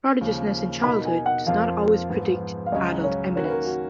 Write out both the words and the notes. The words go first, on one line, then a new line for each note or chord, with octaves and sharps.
Prodigiousness in childhood does not always predict adult eminence.
D#2 C#3 F3
B2 A#3 D#4 B5
G#5
F#5
F2 F3 A#3 F4 F5
G#2 F3 B3
F5
C#2 C#3 F#3 C#4 F#4 D#5
C#5
D#3 A#3 C#4 F#4 C#5
B4
A#4
F#4